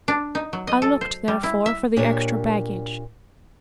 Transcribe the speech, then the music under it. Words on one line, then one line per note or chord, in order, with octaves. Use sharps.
I looked, therefore, for the extra baggage.
D4
D#4
F#3
D#5
A4
C5
G3
E4
E5
A#2 D4 G4 A#4 C#5